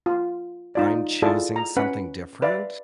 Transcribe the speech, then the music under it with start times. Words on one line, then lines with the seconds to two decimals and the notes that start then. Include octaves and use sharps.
I'm choosing something different,
0.06 F4
0.75 D#4 F4 D5
1.22 E4 F4 G#4 A4 D5 A5
1.56 A#5
1.77 C#4 B4 F#5 B5
2.42 B4 D5 E5 F5